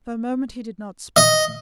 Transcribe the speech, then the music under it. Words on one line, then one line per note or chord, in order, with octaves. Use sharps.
For a moment he did not speak.
D#5